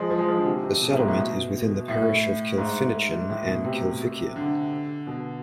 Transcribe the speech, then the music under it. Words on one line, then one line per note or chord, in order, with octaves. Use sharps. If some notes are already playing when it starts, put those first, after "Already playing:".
The settlement is within the parish of Kilfinichen and Kilvickeon.
Already playing: F3 G#3
F3
G#3
F3
D3
C3
C3
B2
A2
G#2
A2
B2
A2
G#2
A2
B2
C3
D3
B2